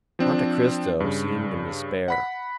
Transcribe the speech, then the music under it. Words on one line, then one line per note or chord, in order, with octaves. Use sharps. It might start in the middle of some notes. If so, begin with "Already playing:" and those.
Monte Cristo seemed in despair.
F3 C4 D4
G2 C#3
F#5 B5 B6